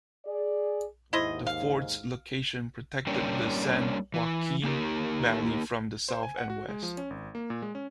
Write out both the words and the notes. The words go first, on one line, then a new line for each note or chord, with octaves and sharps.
The fort's location protected the San Joaquin Valley from the south and west.
G#4 D5
D#2 G#2 E4 C5 D#5
F5
G3 A#3 C#4 D4 G4
E3
A#3 D#4 G4 A#4
C5
G#5
F#5
F#4
G#3
F3
C#4
G#1
A#3
A#2
G#3
C#4